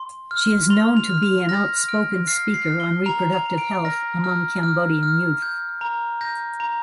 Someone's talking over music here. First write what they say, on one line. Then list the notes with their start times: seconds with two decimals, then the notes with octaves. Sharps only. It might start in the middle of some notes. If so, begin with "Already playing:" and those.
She is known to be an outspoken speaker on reproductive health among Cambodian youth.
Already playing: C6
0.31 F6
0.70 C6 F7
0.97 F7
1.09 F6
1.23 F7
1.49 F6 A#6
1.88 F6 D7
2.27 F6 C7
2.54 C7
2.67 F6
2.80 G7
3.06 A#5 F7
3.32 F7
3.46 A#5
3.58 D7
3.85 F6 A#6
4.24 F6
4.63 F6
5.03 F6
5.42 G6
5.81 A#5
6.21 G6 A#6
6.60 A#5